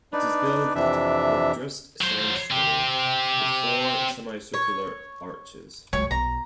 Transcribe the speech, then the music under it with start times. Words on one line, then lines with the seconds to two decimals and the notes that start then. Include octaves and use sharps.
It is built of dressed sandstone with four semicircular arches.
0.13 D4 D#4 B4 D5
0.75 F2 C3 E3 D4 E5
2.01 F#3 C5
2.51 C4 G4
4.54 C#5
5.93 C#2 F#3 C#5
6.11 B1 A#5